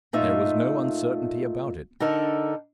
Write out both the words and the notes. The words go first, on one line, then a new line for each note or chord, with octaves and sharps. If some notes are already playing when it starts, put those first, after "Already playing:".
There was no uncertainty about it.
A#2 A3 D#4 F4 E5
D3 D#4 A4 A#4